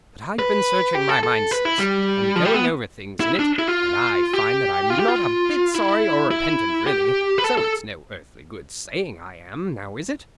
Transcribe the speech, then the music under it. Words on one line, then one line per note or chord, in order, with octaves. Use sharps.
But I've been searching my mind since, and going over things in it, and I find that I'm not a bit sorry or repentant really, so it's no earthly good saying I am; now, is it?'
B4
G4
A4
A4
B4
E4
G3
F3
G3
B3
E4
D4
E4
F4
G4
F4
G4
F4
E4
E4
G4
B4
A4
A4